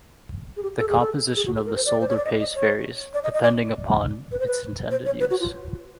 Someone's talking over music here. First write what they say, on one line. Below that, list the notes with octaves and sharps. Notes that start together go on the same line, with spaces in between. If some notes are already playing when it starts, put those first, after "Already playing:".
The composition of the solder paste varies, depending upon its intended use.
G#4
G4
A4
G#4
A4
G#4
F#4
A4
A#4
C5
D5
C5
C#5
D5
D#5
D#5
C#5
D5
D#5
D#5
D5
B4
C5
B4
C5
C#5
B4
F#4
F4